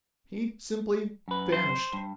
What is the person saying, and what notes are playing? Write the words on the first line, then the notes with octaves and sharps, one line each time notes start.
He simply--vanished.
F#2 B4
C5
G2